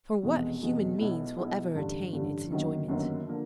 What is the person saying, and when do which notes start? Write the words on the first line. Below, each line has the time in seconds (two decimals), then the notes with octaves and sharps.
For what human means will ever attain its enjoyment?
0.23 F1 E2 B2 G#3
0.62 F1 E2 B2 G#3
0.98 B1 B2 G#3 B3 E4
1.36 B1 B2 G#3 B3 E4
1.75 A1 G2 D3
2.13 A1 G2 D3
2.51 G1 F#2 D#3 F#3 A#3
2.88 G1 F#2 D#3 F#3 A#3
3.27 D3 F3 A#3